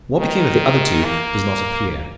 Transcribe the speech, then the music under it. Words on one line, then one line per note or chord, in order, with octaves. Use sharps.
What became of the other two does not appear.
D#3
A#3